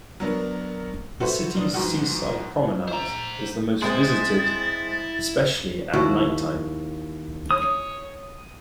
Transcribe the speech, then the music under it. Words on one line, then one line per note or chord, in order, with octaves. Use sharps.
The city's seaside promenade is the most visited, especially at night-time.
F#3 B3 D4 A#4
F#4 A4 B4 C5 E5
F1 D4 D#6
G1 G#2 F3 F#4
C5 A#5
G#3 C4 E4 A6
D#2 E4 F#4
C#5 D#6